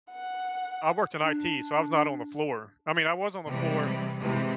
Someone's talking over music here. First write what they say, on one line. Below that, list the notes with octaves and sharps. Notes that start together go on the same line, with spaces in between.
I worked in IT, so I was not on the floor, I mean, I was on the floor,
F#5
D4
C3 E3 G3 G#3
C3 E3 G#3